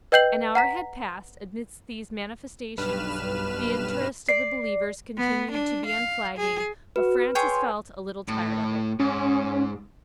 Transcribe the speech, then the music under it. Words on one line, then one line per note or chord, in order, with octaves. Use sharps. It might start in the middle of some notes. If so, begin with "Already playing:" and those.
An hour had passed amidst these manifestations--the interest of the believers continued to be unflagging, but Francis felt a little tired of it.
B4 D#5 G5 G6 C7 F#7
F#5 A#5 B6
B1 G2 B4 F6 E7
D5 C7
B3
D4
F5
G#4
F#4 B4
G#4 C#5 G5 C6
A2
G#2 C#4